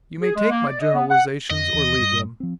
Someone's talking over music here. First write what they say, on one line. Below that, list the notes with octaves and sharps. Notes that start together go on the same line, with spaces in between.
You may take my generalizations or leave them.
G#4
G#3
A#3
D5
D#5
B3
F#5
F2 D#5
D#2 E3
G2
F3 C4